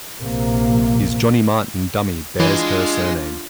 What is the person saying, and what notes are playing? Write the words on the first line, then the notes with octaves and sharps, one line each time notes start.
His "Johnny Martin" dummy bears her surname.
A#1 C3 A#3
E3 G#3 D4 F4